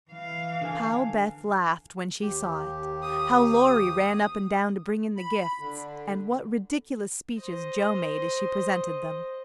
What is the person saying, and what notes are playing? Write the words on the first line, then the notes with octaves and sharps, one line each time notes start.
How Beth laughed when she saw it, how Laurie ran up and down to bring in the gifts, and what ridiculous speeches Jo made as she presented them.
E3 F5
D3 A4 G#5
D#2 G4
D#6
B5
D3
C5 D#5